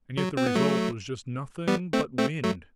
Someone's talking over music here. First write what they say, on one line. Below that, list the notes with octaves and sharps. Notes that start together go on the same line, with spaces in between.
And yet the result was just nothing but wind.
F#3
C4
B3
F#3 A3
G3 B3
A3 C4
A3 C4
F#3 A3